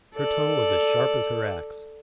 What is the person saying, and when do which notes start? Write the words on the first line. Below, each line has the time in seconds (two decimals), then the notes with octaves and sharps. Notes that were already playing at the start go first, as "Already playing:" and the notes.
Her tongue was as sharp as her axe.
0.15 A4 D5